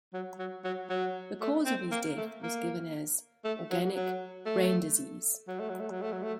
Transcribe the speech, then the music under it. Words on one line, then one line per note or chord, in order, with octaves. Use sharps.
The cause of his death was given as "organic brain disease".
F#3
F#3
F#3
F#3
A3
C4
A#3
A3
A#3
A3
F#3
F#3
A3
F#3
A3
F#3
A3
F#3
A3
F#3
A3